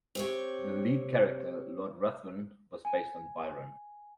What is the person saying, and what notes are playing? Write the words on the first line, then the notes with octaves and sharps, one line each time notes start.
The lead character, Lord Ruthven, was based on Byron.
C4 G4 C#5
G#5